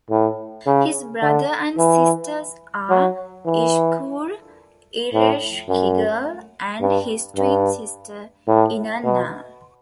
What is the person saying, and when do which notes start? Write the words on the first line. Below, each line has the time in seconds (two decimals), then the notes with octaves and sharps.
His brother and sisters are Ishkur, Ereshkigal, and his twin sister Inanna.
0.11 A2
0.66 C#3
1.22 D3
1.78 E3
2.90 F#3
3.46 E3
5.13 A2
5.69 F#2
6.81 G2
7.37 G2
8.48 A2
9.04 B2